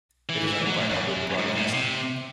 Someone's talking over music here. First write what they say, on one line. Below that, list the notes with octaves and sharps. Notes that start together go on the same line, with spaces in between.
It is owned by Hubbard Broadcasting.
E3
E3
F#3
A2
F#2
G#2
A2
C3